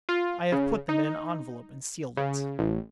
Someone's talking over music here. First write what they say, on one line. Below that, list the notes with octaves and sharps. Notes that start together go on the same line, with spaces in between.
I have put them in an envelope, and sealed it.
F4
C#3
D#4
C#3
A1